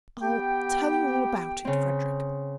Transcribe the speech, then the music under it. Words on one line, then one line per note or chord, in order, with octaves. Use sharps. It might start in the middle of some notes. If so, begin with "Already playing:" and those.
I'll tell you all about it, Frederic.
B3 G4 G5
C#3 C4